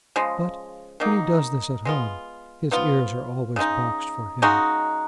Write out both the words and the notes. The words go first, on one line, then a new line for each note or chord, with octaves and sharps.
But when he does this at home, his ears are always boxed for him.
C#3 F3 G#3
D#3 F#3 A#3 D#4
G#3 B3 F4
F3 B3 F4
C#3 G#3 D#4
C#3 G#3 D#4 F#4